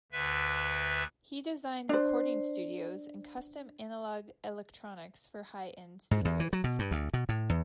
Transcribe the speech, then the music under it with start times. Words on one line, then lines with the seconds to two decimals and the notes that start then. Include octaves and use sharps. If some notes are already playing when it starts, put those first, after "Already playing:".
He designed recording studios and custom analog electronics for high end studios.
0.12 D2 D3 B4 E5
1.89 D4 C5
6.11 G#2
6.25 E2
6.40 E3
6.53 F#3
6.64 B2
6.79 G2
6.91 D2
7.13 B2
7.29 A2
7.50 E2